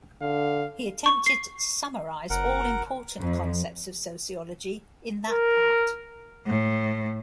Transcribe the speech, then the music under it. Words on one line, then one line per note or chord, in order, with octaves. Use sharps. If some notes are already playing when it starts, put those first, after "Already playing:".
He attempted to summarize all important concepts of sociology in that part.
D3 F5
C#6
C7
F#1 A#4 F#5
F2
A#4
A2